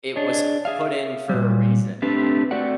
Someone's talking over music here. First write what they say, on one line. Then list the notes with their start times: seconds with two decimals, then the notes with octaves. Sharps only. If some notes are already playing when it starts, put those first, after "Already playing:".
it was put in for a reason.
0.16 D4 G#4 C#5 D#5
0.65 G#4 E5 F5
1.29 A#2 F#3 G3
2.02 A3 C4 D4 G4 A4 B4
2.51 A3 C4 F#4 A4 D5 F#5